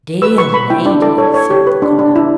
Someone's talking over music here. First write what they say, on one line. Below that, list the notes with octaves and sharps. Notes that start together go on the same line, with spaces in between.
"Dear lady!" said the collar.
B4 E6
B4 C#6
B4 B5
E4 G5
D4 D5
A4 D5
A4 C#5
C#5
G4
B4
D4
D4
E4